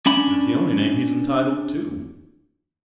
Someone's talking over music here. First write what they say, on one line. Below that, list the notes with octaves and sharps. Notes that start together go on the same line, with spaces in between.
It's the only name he is entitled to.
C#4 D4 B5